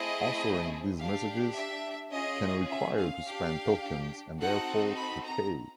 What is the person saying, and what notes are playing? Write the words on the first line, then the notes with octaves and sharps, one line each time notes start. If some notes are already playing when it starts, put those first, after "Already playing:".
Answering these messages can require to spend tokens, and therefore to pay.
Already playing: A3 C4 E4 G#4 D#5
D4 G4 F5
E5
C#4 F4 G#4 D#5
E5
F5
D4 G4
C4 D#4 F#4 A4 F#5
B5
A#5